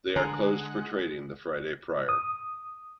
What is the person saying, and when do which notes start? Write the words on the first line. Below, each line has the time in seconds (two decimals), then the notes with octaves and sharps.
They are closed for trading the Friday prior.
0.16 D3 G#3 G#4 F#5 A#5
2.09 D#6